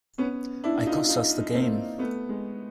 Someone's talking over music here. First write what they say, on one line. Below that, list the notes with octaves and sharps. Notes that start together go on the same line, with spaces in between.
I cost us the game.
B3 C#4
D4 E4
D#4 F4
D#4 F4
A#3 C4
A3 B3
G#3